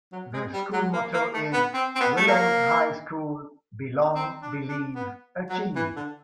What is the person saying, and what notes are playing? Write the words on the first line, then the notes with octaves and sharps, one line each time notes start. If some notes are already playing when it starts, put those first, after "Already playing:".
The school motto is "Willows High School: Belong, Believe, Achieve".
F#3
G#3
G3
F#3
A#3
A#3
A3
B3
C4
C4
B3
A3
A#3
C4
D4
D4
B3
F#3
E3
D3